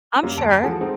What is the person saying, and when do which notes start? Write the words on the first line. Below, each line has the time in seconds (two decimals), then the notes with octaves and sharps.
I'm sure.
0.23 F#2 G3 A#3
0.37 D#2 A5 D7
0.63 E3 F3 G#3 F#4 G#4 A4
0.81 G#3 C4 D#4